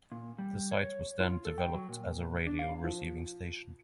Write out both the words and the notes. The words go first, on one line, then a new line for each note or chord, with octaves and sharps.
The site was then developed as a radio receiving station.
A#2
G3
C#5
F4
A4
G5
F#3
A#2
D4
F5
F3